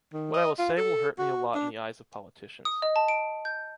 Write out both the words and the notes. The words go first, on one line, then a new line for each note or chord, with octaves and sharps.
What I will say will hurt me a lot in the eyes of politicians.
D#3
D#5
F4
A4
F#4
D4
D#6
D#5
A5
D7
G6